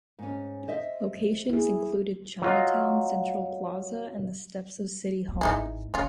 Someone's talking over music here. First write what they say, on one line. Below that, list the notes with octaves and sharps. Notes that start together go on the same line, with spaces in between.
Locations included Chinatown Central Plaza and the steps of City Hall.
G#2 C#4
C5 D#5 E5
E4 G#4
F#3 F4 D#5
E2 C4
G#1 G#2 E3 D#4 G#4
F#1 C#4 F4